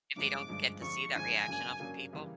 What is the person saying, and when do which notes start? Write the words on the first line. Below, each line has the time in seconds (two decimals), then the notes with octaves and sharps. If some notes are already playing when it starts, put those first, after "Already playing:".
If they don't get to see that reaction off of people,
0.16 G2 D3 F3 G#3 D6
0.49 G2 D3 F3 G#3
0.81 F2 D3 F3 G#3 C#6
1.14 F2 D3 F3 G#3 G#5
1.47 C#3 F#3 A#3 D4
1.80 C#3 F#3 A#3 D4
2.13 C#3 E3 G3 A#3